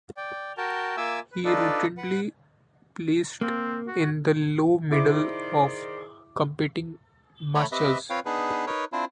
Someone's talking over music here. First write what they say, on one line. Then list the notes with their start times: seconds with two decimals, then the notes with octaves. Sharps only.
He routinely placed in the low middle of competing mushers.
0.17 D5 G5
0.58 F#4 A#4 G5 A5
0.97 A#3 F4 E5 G#5 D6 E6
1.32 B4
1.44 D4 D#4 F4 A4 B4 D5
1.97 B4 F#5
3.41 A#3 C4
3.87 F#4
4.92 D#3 E4 G#4 C5 D5 D6
7.55 A3 A4 C#5 A#5 B5
7.72 C4 G4 B4 D#5 E5
8.10 C4 F4 B4 C#5 F5 G5
8.25 B3 D4 D#4 G#4 B4
8.67 D#4 A#4 B4 C#5
8.92 C4 D4 E4 F4 C5